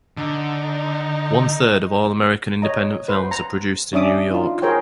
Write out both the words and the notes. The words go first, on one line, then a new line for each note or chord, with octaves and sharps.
One-third of all American independent films are produced in New York.
D3 D#4
C#5 D#5 A#5
B4 C5
A#5
C#4 D4 D5 E5 D6 D#6
D#4 F4
G#4 A#4 C5 C#5 G5